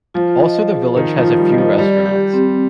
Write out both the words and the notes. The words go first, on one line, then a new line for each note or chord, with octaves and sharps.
Also the village has a few restaurants.
F3 F4
D#5
G#4
D#3 F4
F3
F4
G3
D#5
F3
G3 D5
G4
C4